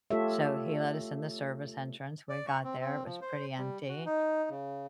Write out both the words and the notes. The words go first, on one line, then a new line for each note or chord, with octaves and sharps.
So he let us in the service entrance, we got there, it was pretty empty,
A3 F4 G4 A4 C#5 E5
D5
C#6
C4
C4
F3
C5
G3
F#4
D#4
C#3